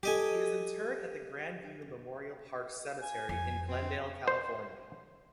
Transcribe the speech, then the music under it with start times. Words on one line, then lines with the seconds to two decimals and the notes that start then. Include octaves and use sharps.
He is interred at the Grand View Memorial Park Cemetery in Glendale, California.
0.03 G3 G4 A4 D#5 G#5
3.01 G#5
3.29 F2 G#5
3.68 C4
4.28 C5